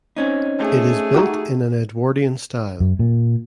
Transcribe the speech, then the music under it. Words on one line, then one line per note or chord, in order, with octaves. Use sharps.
It is built in an Edwardian style.
C4 C#4 D#4
A3 G#4
D#4 F#4 G4
F#2
A#2